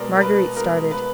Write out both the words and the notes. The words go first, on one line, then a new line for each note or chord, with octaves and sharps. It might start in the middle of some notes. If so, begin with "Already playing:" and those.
Marguerite started.
Already playing: B2 G#3 A#4 D5
A#4
B4
B2 G#3 A#4
B4